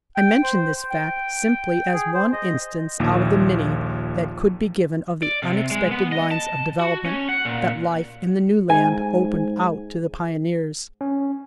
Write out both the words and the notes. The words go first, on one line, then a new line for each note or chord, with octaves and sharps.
I mention this fact simply as one instance out of the many that could be given of the unexpected lines of development that life in the new land opened out to the pioneers.
G5
C5
G5
G#4
C5
D#5
A#1 D#2 A#2
D5
C3
G#3
B3
D#5
A5
F#4
C#4
F#5
A#2
G#2 G#5
C#4